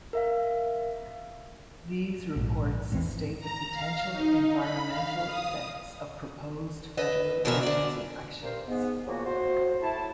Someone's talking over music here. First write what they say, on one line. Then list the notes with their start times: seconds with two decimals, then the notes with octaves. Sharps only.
These reports state the potential environmental effects of proposed federal agency actions.
0.13 A#4 E5 F5
2.36 A#1 G#2
2.92 G#1 E2 E3 C4
3.40 A#5
3.72 F5
4.12 D#4
4.58 B5
4.87 F5
5.27 D#6
6.97 B4 D#5 E5
7.45 F2 B2 D3 E3 A#4 E5
7.63 D3 D5
8.42 G2 A#4 C5
8.67 G#2 B3
9.07 A#2 C#3 F3 A#3 B3 F#4
9.25 A2 F#4 C5
9.82 A2 E4 A5